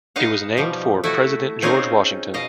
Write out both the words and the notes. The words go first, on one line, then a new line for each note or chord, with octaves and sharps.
It was named for President George Washington.
B3 D#4 D#5 F5 F#5
B2 F3 G3
A3 E4 F#4
C4 C#4 D#4 F4 G#4 C5
B2 D#5 F5